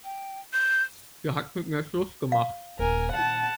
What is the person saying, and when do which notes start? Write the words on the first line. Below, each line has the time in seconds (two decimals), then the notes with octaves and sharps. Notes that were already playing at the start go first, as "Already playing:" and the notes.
Sie hat mit mir Schluss gemacht.
0.05 G5
0.53 G6
2.32 F5
2.79 D#1 A#4 G#5
3.12 A#2 D#3 F#5 A5